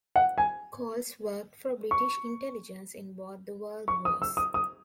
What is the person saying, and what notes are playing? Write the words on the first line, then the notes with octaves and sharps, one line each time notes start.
Coles worked for British Intelligence in both the World Wars.
F#5
G#5
C#6
C#6
D#6
E6
D#6
D#6